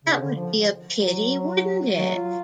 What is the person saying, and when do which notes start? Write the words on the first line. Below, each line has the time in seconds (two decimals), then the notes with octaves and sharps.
That would be a pity, wouldn't it?
0.05 C#3
0.20 D3
0.36 F3
0.97 F#3
1.92 F#3
2.16 F4